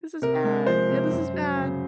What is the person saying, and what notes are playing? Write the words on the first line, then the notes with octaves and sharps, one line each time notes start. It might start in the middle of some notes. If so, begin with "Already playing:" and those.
"This is bad. Yeah, this is bad."
C3 A#4
G#3
F3 C5
C3
F#2
F#3
C#3